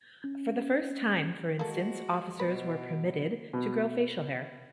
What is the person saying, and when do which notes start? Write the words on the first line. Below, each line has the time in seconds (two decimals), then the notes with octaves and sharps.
For the first time, for instance, officers were permitted to grow facial hair.
0.24 C#4
1.59 G#3 A#3 F#4 A4
2.40 B2 B4
3.53 B2